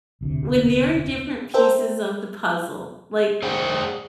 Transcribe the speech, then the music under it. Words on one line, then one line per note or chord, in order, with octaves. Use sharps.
When there are different pieces of the puzzle. Like,
E1 D2 C3
A4 A#4 C5 E5 G5
G#4 C5 D5 F#5 G5